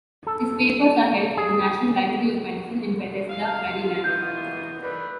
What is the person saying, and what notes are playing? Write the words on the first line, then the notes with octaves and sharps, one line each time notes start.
His papers are held at the National Library of Medicine in Bethesda, Maryland.
A4
G#4
F5
F4
B2 E3 A#3 B3 G6
D#3 G3 A3 B4